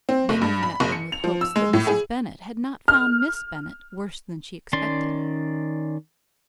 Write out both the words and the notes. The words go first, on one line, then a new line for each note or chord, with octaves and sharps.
Bingley met them with hopes that Mrs. Bennet had not found Miss Bennet worse than she expected.
C4
F#1
G2
B5
F#1
C#7
F7
F3
E6
G#3
A2
G#4
F6
D#3 C#4 D5 C6